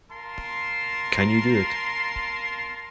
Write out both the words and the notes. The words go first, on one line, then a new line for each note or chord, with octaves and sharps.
Can you do it?
F4 A#4 A5 C6